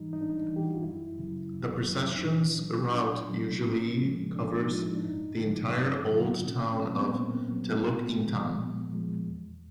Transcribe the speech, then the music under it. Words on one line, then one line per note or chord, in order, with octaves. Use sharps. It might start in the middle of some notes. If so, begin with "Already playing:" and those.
The procession's route usually covers the entire old town of Teluk Intan.
Already playing: G#2 E3 G3 D#4
G#2 D#4
D4
D#4
E3 G3
G4
F#4
F4
F#2 E4
C#3 F#3
F#2
C#3 F#3
D#4
A#2 D4
F#3
A#2 D4
F#3
A2 C#4
F3 G#3
A2 D4
D#4
F3 G#3
E4
D4
G2 D#4
D3 F#3
G2
D3 F#3
A#2 C#4
C#4
C4
F#3
B3
C4
B3
A#2 A#3
F#3
A#2 B3
F3 G#3
A#2
F3 G#3
E2